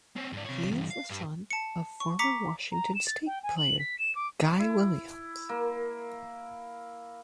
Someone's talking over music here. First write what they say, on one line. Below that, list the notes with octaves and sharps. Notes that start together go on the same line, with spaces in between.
He is the son of former Washington State player Guy Williams.
C4 C#4
G#2 D5
C3 C#5
G2 E3
F5
G2
A5 C#7
C#6
A#5 D6 B6 C#7
A#5
E7
A6
G5
G#5
F#7
B6
E7
D6
E4
A#3